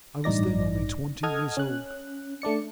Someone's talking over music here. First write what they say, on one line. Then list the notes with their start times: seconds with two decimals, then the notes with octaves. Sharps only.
I was then only twenty years old.
0.24 A1 G2 D#4 D5 A#6
1.23 A4 D#5 F#5 D#6 F6 G#6
1.57 C#4 F#6
2.42 A3 D4 D5 C#7